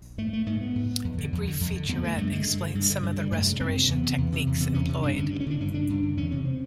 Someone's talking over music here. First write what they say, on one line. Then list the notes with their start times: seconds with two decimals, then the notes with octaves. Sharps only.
A brief featurette explains some of the restoration techniques employed.
0.18 G#2 A3
0.33 A3
0.46 G#2 A3
0.61 B3
0.75 G#2
1.04 F2
1.18 D3
1.33 F2
1.47 D3
1.61 F2
1.76 D3
1.89 F2 B3
2.03 D3 A3
2.17 G2 A3
2.32 D3 G#3
2.47 G2
2.60 D3
2.75 G2
2.90 D3
3.03 G2 F#3
3.17 D3 G3
3.32 F#2 A3
3.46 C#3
3.60 F#2 C4
3.75 C#3 C4
3.88 E2 B3
4.03 C3
4.18 E2
4.32 C3
4.47 E2
4.60 C3 B3
4.74 E2 C#4
4.88 C3
5.03 G2 D4
5.17 D3 C#4
5.31 G2
5.40 C#4
5.46 D3 D4
5.60 G2 C#4
5.74 D3 D4
5.89 G2
6.02 D3
6.17 E2 C#4
6.31 C3 C#4
6.45 C4